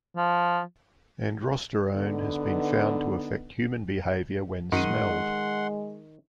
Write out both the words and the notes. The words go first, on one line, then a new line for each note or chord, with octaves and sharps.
Androsterone has been found to affect human behavior when smelled.
F3
D3 B3 D#4
F#2 D#3 G#3 F#5 C6 D#7